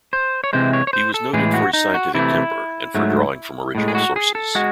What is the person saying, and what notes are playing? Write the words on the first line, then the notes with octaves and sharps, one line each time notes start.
He was noted for his scientific temper and for drawing from original sources.
C5
C#5
C3 E3 G#3 C5
C#5
C#5
C5
A4
A2 E3 G#3 G#4
F#4
D#4
F#4
C3 E3 A3 E4
G#2 F#3 A3
A2 G#3
G#4
F#4
G#4
A4
G#3 F#4